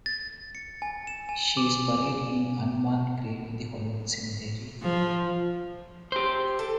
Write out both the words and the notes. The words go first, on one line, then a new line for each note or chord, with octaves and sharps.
She is buried in unmarked grave in the Hollywood Cemetery.
A6
C#7
G#5
E7
G#5
D6
F3
G4 C5
A4